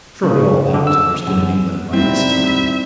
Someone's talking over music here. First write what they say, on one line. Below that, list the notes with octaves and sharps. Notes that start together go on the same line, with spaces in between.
Surely all that was understood in England by this time.
C#3
D3
E6
F#2
G3 C4 D#4 E4 E5